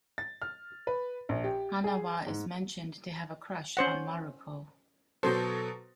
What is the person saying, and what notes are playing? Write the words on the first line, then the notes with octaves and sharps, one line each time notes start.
Hanawa is mentioned to have a crush on Maruko.
A6
F6
B4
A#1
G4
G#4
G#2
C#4 C5 F#5
B2 F#3 A4 C5